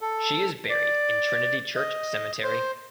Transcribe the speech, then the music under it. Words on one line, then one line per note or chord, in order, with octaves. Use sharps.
She is buried in Trinity Church Cemetery.
A4
D5
D#5
C5